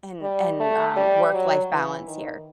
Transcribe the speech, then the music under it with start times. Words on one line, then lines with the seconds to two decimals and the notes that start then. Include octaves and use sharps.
and and, um, work life balance here?"
0.22 G3
0.60 A3
0.96 G3
1.33 F#3
1.71 E3
2.07 D#3